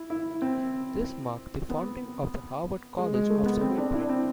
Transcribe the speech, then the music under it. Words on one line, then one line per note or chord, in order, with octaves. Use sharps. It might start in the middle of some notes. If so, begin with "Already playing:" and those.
This marked the founding of the Harvard College Observatory.
Already playing: E4
E4
C4
B3
G#3
G#3
A3
B3
C4
D4
E4
D4
C4